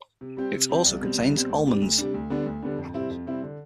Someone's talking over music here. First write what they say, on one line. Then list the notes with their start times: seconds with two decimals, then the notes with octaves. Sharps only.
It also contains almonds.
0.21 C3
0.37 G3 C4 G4
0.53 C3
0.69 G3 C4 G4
0.85 C2
1.01 B2 G3 C4
1.18 C2
1.33 B2 G3 C4
1.50 D2
1.66 C3 G3 D4
1.82 D2
1.98 C3 G3 D4
2.14 D2
2.30 D3 G3 B3 D4
2.46 D2
2.63 D3 G3 B3 D4
2.78 F2
2.94 C3 G3 C4 E4
3.10 F2
3.26 C3 G3 C4 E4
3.43 D3